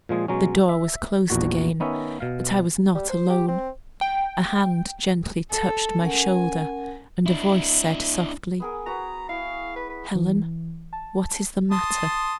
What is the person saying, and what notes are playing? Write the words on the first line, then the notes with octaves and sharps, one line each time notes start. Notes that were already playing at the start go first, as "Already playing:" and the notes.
The door was closed again--but I was not alone; a hand gently touched my shoulder, and a voice said, softly,--'Helen, what is the matter?'
A#2 F3 G#3 G#4
B2 F#3 G#3 C#4
E5
A#1 E2 A#2 F#4
D#3 B3 C#4 E5
B2 F5
G3
C5
G4
C4
G5
A4
C#4 A#4 F#5 G#5
D4 E4
B3 G#4 A#4
F#4 B4 A#5
E4 F5
B4
B4
E3
A5
A5 C6 D#6